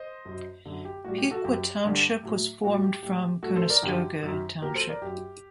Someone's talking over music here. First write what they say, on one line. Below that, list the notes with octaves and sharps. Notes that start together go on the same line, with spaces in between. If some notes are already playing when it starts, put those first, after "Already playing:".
Pequea Township was formed from Conestoga Township.
Already playing: C5 D#5
F#2 F#3
F#2 D3 F#3
G4
A2 G3 F#4
G4
F#4 A4
F#2 F#3 G4
G2 D3 G3
A2 F#3
A2 F#3 F#4
G4
A2 G3 G4
A2 F#3 F#4 A4
A4 C5
A#4 D5
F#2 D3 F#3 G4
F#2 D#3 F#3
A#2 F#3 G4 A#4
A4 C5
A#4 D5
F#2 F#3 G4